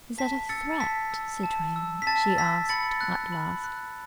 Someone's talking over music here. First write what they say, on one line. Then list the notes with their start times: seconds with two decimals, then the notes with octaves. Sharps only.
"Is that a threat, citoyen?" she asked at last.
0.18 A5 B6
0.49 E6 A6 C#7
0.80 A5 B6
1.12 E6
1.43 A5
1.76 E6
2.02 B6
2.07 A5 A6
2.38 E6 B6
2.69 B5 A6 C#7
3.01 F#6
3.32 B5
3.64 F#6